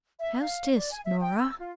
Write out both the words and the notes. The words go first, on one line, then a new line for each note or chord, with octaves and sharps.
"How's this, Norah?"
E5
F5
D5
G#5
E5
G5
E6
F4